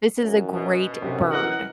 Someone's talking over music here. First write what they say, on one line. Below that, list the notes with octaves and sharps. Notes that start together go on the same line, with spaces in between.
this is a great bird.
F#2
B2
B1 F#2 C3
E3 A#4 D#5 F#5